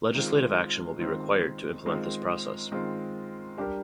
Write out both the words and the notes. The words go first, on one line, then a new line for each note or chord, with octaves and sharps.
Legislative action will be required to implement this process.
D#3 G#3 C4 F4
D#3 G#3 C4 F4
D#3 G#3 C4 F4
D#3 G#3 C4 F4
G3 D4 G4 A#4